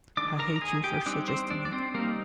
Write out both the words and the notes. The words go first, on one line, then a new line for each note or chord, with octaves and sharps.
I hate you for suggesting it.
D#3 G#3 D4 D5 D6
A#4 A#5
A#5
G#4 G#5
G4 G5
G3 C4 D4 D#4 D5
C4 C5
D4 D5
D5
C4 C5
G3 A#3 C4 D#4 A#4